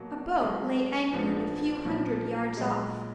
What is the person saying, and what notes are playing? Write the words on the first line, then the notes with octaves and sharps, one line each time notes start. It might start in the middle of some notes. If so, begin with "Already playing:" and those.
A boat lay anchored a few hundred yards off.
Already playing: B2 F#3 A#3
B1 B2 G#3
A#1 G#2 F3 B3 D4
B1 A#2 F3
B1 A#2 G#3